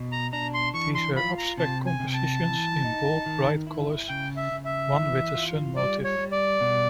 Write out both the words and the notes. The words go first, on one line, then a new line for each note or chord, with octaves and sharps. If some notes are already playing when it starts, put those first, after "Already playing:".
These were abstract compositions in bold, bright colours, one with a sun motif.
Already playing: B2
A#5
D4 A#5
C6
E3 C#6
C6
F4 B5
A#5
C3 A5
G#5
C3
A5
E3
D#4
D#3
E4
C#3 G5
E5
C#3
E5
E3
F4
G3 D5
C#5
G3
D5
B2